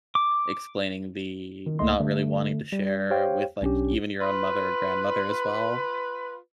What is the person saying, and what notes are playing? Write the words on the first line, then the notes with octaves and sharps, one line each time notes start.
explaining the not really wanting to share with, like, even your own mother or grandmother as well.
D6
D#3
C#2 A3 A#3 D#5 C6
D3 A3
G3
G4 C5 C#5 F5 G5
B1 C#4 D4 G4
F4 B4